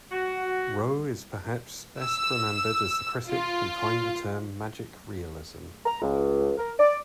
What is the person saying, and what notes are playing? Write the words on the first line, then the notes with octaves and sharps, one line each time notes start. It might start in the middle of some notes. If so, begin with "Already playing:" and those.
Roh is perhaps best remembered as the critic who coined the term magic realism.
F#4
E6
F4
A#5
C#2
A#4
D5